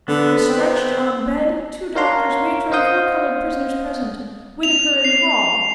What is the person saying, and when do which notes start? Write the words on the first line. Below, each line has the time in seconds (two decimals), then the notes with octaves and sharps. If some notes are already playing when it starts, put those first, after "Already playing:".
Was stretched on bed, two doctors, matron, four colored prisoners present, Whittaker in hall.
0.08 D3 B3
0.49 C4
1.95 A#4 C#5 F5 F#5 A#5 C6
2.72 C5 D#5 F5 F#5 D#6 G6
4.63 F7
5.04 C7